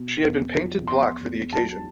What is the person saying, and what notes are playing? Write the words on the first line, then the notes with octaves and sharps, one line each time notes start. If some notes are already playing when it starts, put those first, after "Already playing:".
She had been painted black for the occasion.
Already playing: B2
E2
F3
E2 C6
E2
F#3 A5